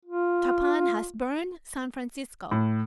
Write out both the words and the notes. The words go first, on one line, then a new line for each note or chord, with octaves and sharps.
Chapan hass burn San Francisco.
F4
A2